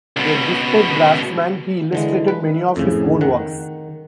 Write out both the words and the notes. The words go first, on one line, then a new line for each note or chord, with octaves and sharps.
A gifted draftsman, he illustrated many of his own works.
C#2 B2
D3 E3 G#3
B4
F2 A2 C#3
D#3 F#5